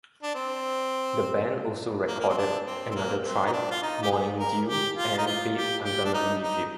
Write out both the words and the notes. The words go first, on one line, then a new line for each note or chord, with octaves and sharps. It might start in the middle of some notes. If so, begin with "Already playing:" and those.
The band also recorded "Another Tribe", "Morning Dew", and "Babe I'm Gonna Leave You".
D4
C4
A#3
A#3
C4
D4
C4
C4
A#3
C4
D#4
D4
F4
D#4
G4
G#4
A#4
G4
F4
D#4
F4
G4
G4
D4
D#4
D#4